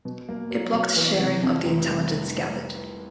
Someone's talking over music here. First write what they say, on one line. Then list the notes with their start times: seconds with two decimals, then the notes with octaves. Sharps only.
It blocked sharing of the intelligence gathered.
0.05 B2
0.29 A#3
0.51 F#3
0.73 B2
0.96 E3
1.19 C3
1.43 F2
1.65 F1
1.88 C2